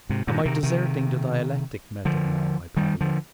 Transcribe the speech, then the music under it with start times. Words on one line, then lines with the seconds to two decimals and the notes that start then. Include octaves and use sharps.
Am I deserting the dialectic method now, Hypatia?....
0.09 G#2 C3
0.27 G2 A#2
0.45 C3 D#3
0.63 C3 D#3
2.05 D3 F3
2.77 D#3 G3
3.01 D3 F3